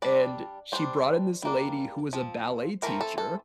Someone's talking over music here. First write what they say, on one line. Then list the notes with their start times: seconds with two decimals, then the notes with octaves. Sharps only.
and she brought in this lady who was a ballet teacher,
0.02 G3 D4 D5
0.72 G3 D4 C5
1.42 G3 A#3 D4
2.13 F3 C4
2.82 E3 A3 C4 A#4
3.01 A4
3.18 A4